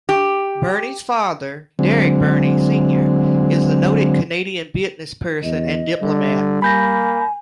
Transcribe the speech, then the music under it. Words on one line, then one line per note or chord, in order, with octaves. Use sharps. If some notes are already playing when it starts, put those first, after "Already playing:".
Burney's father, Derek Burney Senior is a noted Canadian businessperson and diplomat.
G4
D3 F#3 G#3 C4
E2 D#5
D3 G3
A#3 G#5 B5 G6 A#6